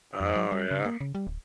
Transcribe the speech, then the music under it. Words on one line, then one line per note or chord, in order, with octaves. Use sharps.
Oh, yeah.
F2
F#3
G3
C#3
A#3
C#3
G3
D1